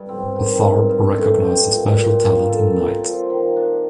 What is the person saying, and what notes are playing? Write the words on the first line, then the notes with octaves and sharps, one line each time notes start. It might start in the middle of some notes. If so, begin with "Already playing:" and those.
Tharpe recognized a special talent in Knight.
Already playing: G2
C4
D#3
G2
G2
A3
G4
A#2
A#2
A#3
A4
A#2
F3
D#3
D4